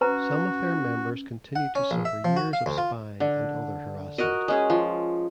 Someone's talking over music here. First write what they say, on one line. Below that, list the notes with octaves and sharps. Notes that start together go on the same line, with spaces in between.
Some of their members continued to suffer years of spying and other harassment.
C#4 F#4 B4 A#5
F#5
C#4
A#1
E5
F3
F#4
F5
D2
F4
D3
F#4 A#4 D#5
G#3 C#4 G#4
F3